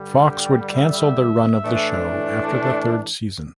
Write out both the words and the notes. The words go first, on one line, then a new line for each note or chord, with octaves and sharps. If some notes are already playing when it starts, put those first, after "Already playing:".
Fox would cancel their run of the show after the third season.
Already playing: G2 D3 G3
G5
E5
A2 E3 A3 D4